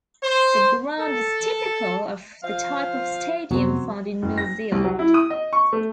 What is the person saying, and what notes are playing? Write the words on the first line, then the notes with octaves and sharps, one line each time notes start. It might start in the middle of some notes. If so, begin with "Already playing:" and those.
The ground is typical of the type of stadium found in New Zealand.
C5
A4
F3 C5 F5
F2 C3 F#3 B3 C4
F#1
A#6
C2
F#3
E4
D#6
D#5
C#6
A3